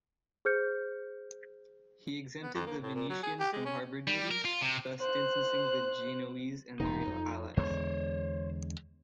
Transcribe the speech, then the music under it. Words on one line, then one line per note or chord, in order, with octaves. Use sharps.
He exempted the Venetians from harbour duties, thus distancing the Genoese and their allies.
G#4 C5 F6 G6 C#7
B3
F2
A#3
A2
A#2
F#3
G#4
G4
G#3
C#4
G3
A#4
F4
C3
C5 F#6
E1 G2 C3 D#4
F2
E2 D3 G#3 C5 C#5